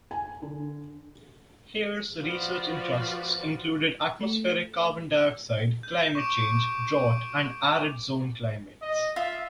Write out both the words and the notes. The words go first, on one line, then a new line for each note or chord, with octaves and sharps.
Hare's research interests included atmospheric carbon dioxide, climate change, drought, and arid zone climates.
G#5
D3
F3 F4 F#4 B4 D5 F5
A3
G6
C#6 D6 D7
D#5
F4 E5